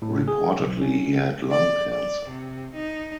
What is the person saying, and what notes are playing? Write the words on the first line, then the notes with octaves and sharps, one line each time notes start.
Reportedly he had lung cancer.
A2
G#4
B1
C#4
D5
D5
C3
D#4